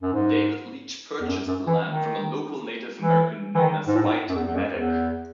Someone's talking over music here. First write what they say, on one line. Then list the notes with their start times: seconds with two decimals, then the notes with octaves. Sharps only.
David Leech purchased the land from a local Native American known as White Maddock.
0.02 F#2
0.13 G#2
1.21 E2
1.28 F#2
1.47 F#2
1.67 E3
1.85 D#3
3.01 E3
3.55 E3
3.58 D#3
3.87 G#2
3.96 A2
4.05 G#2
4.29 F#2
4.36 E2
4.47 E2
4.55 F#2
4.74 E2